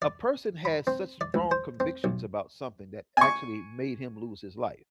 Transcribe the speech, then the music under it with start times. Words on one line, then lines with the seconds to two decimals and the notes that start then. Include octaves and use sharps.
a person has such strong convictions about something that actually made him lose his life.
0.02 D5
0.65 B5
0.87 C4
1.21 D5
1.34 C#2
1.51 C5
1.80 C4
2.04 B1
3.17 G#5 C#6